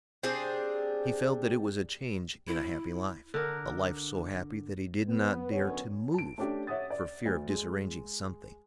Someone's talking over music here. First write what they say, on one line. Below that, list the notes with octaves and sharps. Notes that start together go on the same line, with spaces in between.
He felt that it was a change in a happy life, a life so happy that he did not dare to move for fear of disarranging something.
C4 D4 G4 G#4
E4
D3 A#4
B3
F#2 D3 B3 C#4 C#5
A5 D7
A3 C#4 D4 G4
C#5 E5 F#5 D#6 A6
D5
D2
G#3